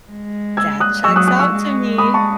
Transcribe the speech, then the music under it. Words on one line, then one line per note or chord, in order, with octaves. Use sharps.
That checks out to me.
G#3
E6 G#6
D#6 F#6
F#3 C#6 E6
D#6 F#6
D#6 F#6
C#6 E6
G#3
B5 D#6
A5 C#6